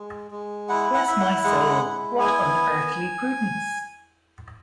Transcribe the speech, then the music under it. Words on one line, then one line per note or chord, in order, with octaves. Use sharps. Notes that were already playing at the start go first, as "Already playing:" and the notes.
Bless my soul, what unearthly prudence!
Already playing: G#3
G#3
E4 F#5
F#5
E4 E5
F#5
G#3 F#5
E4
B3 G#5